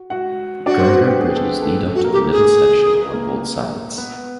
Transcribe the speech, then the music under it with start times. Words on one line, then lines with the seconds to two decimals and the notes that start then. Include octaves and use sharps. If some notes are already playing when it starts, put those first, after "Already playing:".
Girder bridges lead up to the middle section on both sides.
Already playing: F#4
0.10 F#4 F#5
0.66 D4 F#4 D5
0.79 C4 C5
0.93 B3 B4
1.08 G4
1.21 G#4
1.35 A3 A4
1.62 A3 A4
1.76 A3 A4
1.95 F#4 A4
2.04 A#3 A#4
2.13 G4
2.32 G#4
2.86 A#4
3.00 B4
3.13 A#3 A#4
3.98 B3 B4